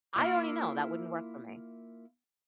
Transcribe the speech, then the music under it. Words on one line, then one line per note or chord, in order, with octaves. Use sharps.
I already know that wouldn't work for me.
A#3 E4 F4